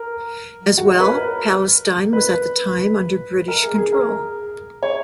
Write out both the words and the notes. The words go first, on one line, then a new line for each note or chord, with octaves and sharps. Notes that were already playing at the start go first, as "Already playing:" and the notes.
As well, Palestine was at the time under British control.
Already playing: A#4
F#4
C#5
B4
A#4
B4
A#4
G#4
G#4
A#4
C#5